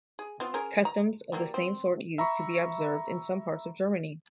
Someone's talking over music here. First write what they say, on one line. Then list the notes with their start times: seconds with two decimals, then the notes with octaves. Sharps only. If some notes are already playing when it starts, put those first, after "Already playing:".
Customs of the same sort used to be observed in some parts of Germany.
0.19 G#4
0.40 B3 C4 F4
0.54 C#4 G#4 A#4
0.85 A#5
1.32 F#3 G3 A#3
1.54 C4
2.18 E5 A#5 B5 C#6